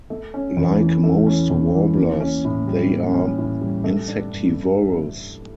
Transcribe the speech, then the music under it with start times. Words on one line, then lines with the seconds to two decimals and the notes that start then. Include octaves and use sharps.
Like most warblers, they are insectivorous.
0.10 A3
0.34 C#4
0.57 E2
0.80 E3
1.03 A3
1.27 C#4
1.50 E2
1.74 E3
1.97 A#3
2.21 C#4
2.45 A2
2.68 G3
2.90 A#3
3.14 C#4
3.38 A2
3.61 G3
3.84 A3
4.08 D4
4.32 G2